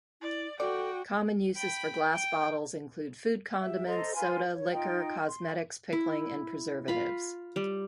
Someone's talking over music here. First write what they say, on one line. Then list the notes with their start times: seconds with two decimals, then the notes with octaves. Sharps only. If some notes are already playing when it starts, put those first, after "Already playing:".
Common uses for glass bottles include food condiments, soda, liquor, cosmetics, pickling and preservatives.
0.21 E4 D5
0.60 F#4 A4 D5 G5
1.56 G5 B5
2.14 G5
3.60 G4 E5
3.86 A4 C5 D#5 A#5
4.14 F4 B4 G#5 C6
4.53 C#5
4.72 D#4 F4 G5
5.28 C6
5.93 E4
6.88 F4 B5
7.56 G3